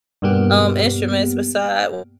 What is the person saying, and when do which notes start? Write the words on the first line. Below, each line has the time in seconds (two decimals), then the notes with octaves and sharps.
um, instruments beside
0.22 G2 B2 A#3 B3 G4